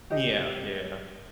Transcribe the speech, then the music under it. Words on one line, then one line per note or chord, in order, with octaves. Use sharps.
Mm, yeah, yeah.
G4 D#5